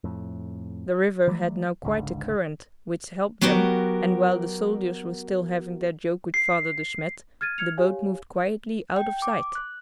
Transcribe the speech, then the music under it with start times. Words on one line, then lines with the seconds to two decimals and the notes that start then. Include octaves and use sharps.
The river had now quite a current, which helped them, and while the soldiers were still having their joke with Father De Smet the boat moved quietly out of sight.
0.04 F2 A2
1.27 E3 F#3 G3 A3
1.83 G#1 C#2 G#2 D3
3.41 F#3 B3 F#4 G4 A#4
6.34 C7
7.41 F6 G#6 A6 D#7
7.58 F6 G#6 C#7 F7
7.78 G4 C#5 F5 G#5
8.96 G5
9.22 D6
9.55 F#6